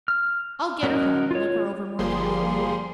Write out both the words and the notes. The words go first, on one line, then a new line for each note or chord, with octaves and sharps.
"I'll get her home and look her over more carefully."
F6
F#3 C#4 A#4 D#5
F4 C#5
G1 F3 G3 A#3 G#4 C6